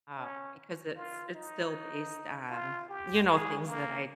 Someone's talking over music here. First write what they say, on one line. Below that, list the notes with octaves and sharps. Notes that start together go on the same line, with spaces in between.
um, because it's it's still based on, you know, things that I
C#4
F4
D#4
F4
G4
G#4
A#3